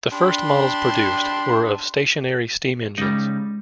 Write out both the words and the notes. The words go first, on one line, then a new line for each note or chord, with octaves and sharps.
The first models produced were of stationary steam engines.
D4 G4 B5 C6
C#3 G3 G#3 D#4